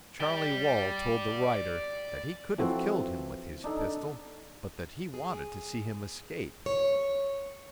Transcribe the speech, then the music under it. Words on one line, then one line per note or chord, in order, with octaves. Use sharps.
Charlie Wall told the writer that he could have killed him with his pistol, but that he wanted to see him escape.
D5 G5
E3 F3 C4 F#4 A4
D4 D#4 A4
G#4
C#5